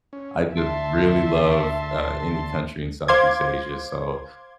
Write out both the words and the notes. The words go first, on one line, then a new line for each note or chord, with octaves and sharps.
I just really love, uh, any country in Southeast Asia. So,
C#4
D2 E5 A5 C6
C5 F5 C6 D6 G#6